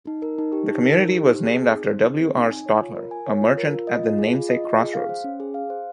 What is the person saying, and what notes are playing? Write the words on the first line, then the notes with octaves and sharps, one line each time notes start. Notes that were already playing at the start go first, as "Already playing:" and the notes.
The community was named after W. R. Stotler, a merchant at the namesake crossroads.
D#4
A#4
D#4
G4
D#4
A#4
D#4
G4
C5
G#4
C4
D#4
C5
G#4
C4
D#4
G#5
C#5
F4
A#4
G#5
C#5
F4
A#4
F4
D#5
F4
G#4
F4
D#5
F4
G#4
F5
C5
C#4
G#4
F5
C5